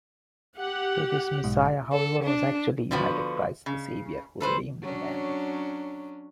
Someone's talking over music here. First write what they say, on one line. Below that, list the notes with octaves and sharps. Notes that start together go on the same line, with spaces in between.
To this Messiah, however, was actually united Christ the Saviour, who redeemed men.
G4 F#5
B1 G#2
A4
D4
D3 F3 B3 F#4
C#3
A4 B4 C5
F#3 C#4 D4